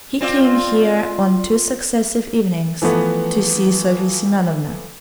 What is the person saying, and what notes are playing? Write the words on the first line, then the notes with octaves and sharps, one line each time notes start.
He came here on two successive evenings to see Sofya Semyonovna.
C4 F4 D5
E3 F3 A3 B3